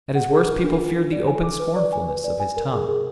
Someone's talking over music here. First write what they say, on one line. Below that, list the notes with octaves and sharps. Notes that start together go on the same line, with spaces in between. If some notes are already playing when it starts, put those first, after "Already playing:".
At his worst people feared the open scornfulness of his tongue.
F#5
G#4
A#4
D4
F4
F4
D5
G#5
D6
B4
D5
G#5
B4
D5
G#5
A#4
G#4
G#4